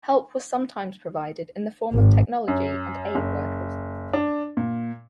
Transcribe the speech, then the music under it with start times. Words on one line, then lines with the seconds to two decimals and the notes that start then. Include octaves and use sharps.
Help was sometimes provided in the form of technology and aid-workers.
1.93 G#1
2.48 F#2
3.15 F#1
4.13 D4
4.57 A#2